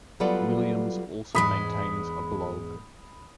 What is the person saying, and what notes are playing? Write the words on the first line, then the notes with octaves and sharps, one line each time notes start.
Williams also maintains a blog.
F#3 G3 B3 F4 A4 D5
E2 G#2 G#3 B5 D#6 B6